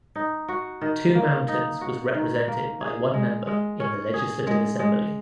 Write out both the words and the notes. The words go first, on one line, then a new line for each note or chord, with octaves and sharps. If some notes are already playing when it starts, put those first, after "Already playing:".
Two Mountains was represented by one member in the Legislative Assembly.
D#4
F#4
D#3
A#3
D#4
F#4
D#3
A#3
G#4
G#3
G#3
C#4
G#4
G#3
G#3